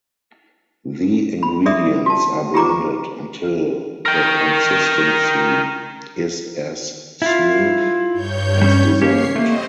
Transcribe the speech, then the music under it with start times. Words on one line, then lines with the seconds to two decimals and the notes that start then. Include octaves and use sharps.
The ingredients are blended until the consistency is as smooth as desired.
1.43 B5
1.66 G#4 D5 E5 D#6
2.06 F#4 A5
2.54 F4 G4 G#4 A#5 D6
4.06 A#4 G5
7.22 E4 F4
8.13 G2 C#5 G6
8.62 G3 C#4
9.02 A#3 C#4 G4 C#5 C7
9.36 A3 A#3 C4 C5 D#5